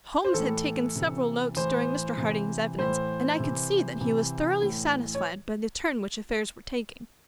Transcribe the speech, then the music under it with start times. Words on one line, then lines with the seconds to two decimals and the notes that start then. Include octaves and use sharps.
Holmes had taken several notes during Mr. Harding's evidence, and I could see that he was thoroughly satisfied by the turn which affairs were taking.
0.24 C5
0.34 A2 E3 A4
0.96 C3 E3
1.56 A2 E3 C5
2.17 C3 E3
2.79 A2 E3 C5
3.40 C3 E3
4.01 C3 E3
4.62 A2 E3
5.15 C#5